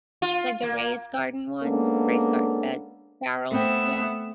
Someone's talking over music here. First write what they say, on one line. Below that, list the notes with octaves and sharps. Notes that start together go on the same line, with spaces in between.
Like the raised garden ones, raised garden beds, barrel? Yeah.
F4
A#3
G#3 A#3 B3 C#4 D4 A4
A3 B3 C4 E5